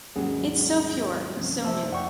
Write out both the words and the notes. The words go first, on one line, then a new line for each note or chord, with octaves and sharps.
It's so pure, so new.
D#2 G#2 F#3 G3 A#3 C#4 G#4 F#5
F#3
C2 G2 F3 A3 C4 C#4
F3 C5 E5 A5 E6
F2 D5 F#5 G5 C#6